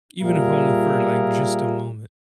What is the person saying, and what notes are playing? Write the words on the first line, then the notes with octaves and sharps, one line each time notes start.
Even if only for, like, just a moment.
A#2 G3 F4 G#4 A#4 E5